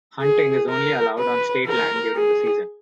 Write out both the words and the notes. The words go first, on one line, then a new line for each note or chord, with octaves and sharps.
Hunting is only allowed on state land during the season.
G#4
A#4
B4
A#4
G#4